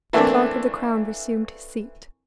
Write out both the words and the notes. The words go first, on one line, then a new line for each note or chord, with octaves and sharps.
The Clerk of the Crown resumed his seat.
E3 A3 A#3 C4 D4